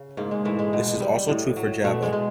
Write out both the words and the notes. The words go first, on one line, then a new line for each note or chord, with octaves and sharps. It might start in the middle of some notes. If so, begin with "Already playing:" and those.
This is also true for Java.
Already playing: C#3
G#2 A#3
G#3
E3 G#3 A3
G#3
B2
G3
A2
F#3
B2 A3
G#3
G#3